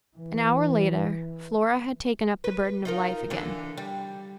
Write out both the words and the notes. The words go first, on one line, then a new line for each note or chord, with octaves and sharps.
An hour later Flora had taken up the burden of Life again.
E3
B4
D#4 F4 A#4
D3 E3 D4
G3